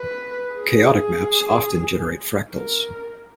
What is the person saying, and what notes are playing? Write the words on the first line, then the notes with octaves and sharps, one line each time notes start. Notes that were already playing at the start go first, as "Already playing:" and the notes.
Chaotic maps often generate fractals.
Already playing: B4
G#4
A#4